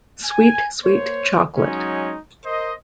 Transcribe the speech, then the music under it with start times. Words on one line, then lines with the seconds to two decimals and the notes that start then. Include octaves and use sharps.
Sweet, sweet chocolate.
0.24 G#5
0.83 A#3 C5 C#5
1.56 F#3 G#3 C#4 D#4
2.45 A#4 C5 D#5